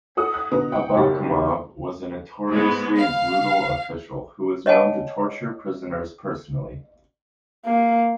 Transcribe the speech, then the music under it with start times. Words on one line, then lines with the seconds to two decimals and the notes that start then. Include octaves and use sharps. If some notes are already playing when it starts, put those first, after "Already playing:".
Abakumov was a notoriously brutal official who was known to torture prisoners personally.
0.17 A4 F#5 D#6
0.34 F#6
0.51 B2 D3 B3 A#5
0.72 F#5 G5
0.94 F#1 B1 G3 G4 A6
2.49 G#2 G#3 B3
2.98 F5
4.66 C#5 D#5 F#5 G#5 A5
7.66 A#3